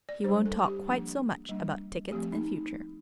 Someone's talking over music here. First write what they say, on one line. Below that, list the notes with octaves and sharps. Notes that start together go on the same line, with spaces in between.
He won't talk quite so much about tickets in future.
D5
G3 D4 C5
A4
G4
F3 A#3 D4
G3 A#3 D4
F3 A3 C4 G4
D#4